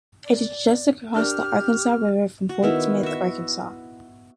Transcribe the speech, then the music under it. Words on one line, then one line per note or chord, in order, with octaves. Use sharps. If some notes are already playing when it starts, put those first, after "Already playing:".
It is just across the Arkansas River from Fort Smith, Arkansas.
D5
D4 G4 A#4 D5 F6
F#4
D#3 B3 E4
F#4 E5